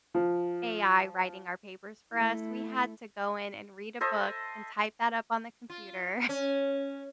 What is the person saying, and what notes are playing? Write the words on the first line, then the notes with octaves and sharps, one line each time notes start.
AI writing our papers for us. We had to go in and read a book and type that up on the computer.
F3
A3 E4
A4 C5 D#5 E5
F4
C#4